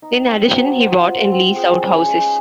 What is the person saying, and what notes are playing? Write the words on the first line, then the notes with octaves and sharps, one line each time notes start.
In addition, he bought and leased out houses.
D#4
C4
F#3
C5
F4
C4
G#4
C#4
G#3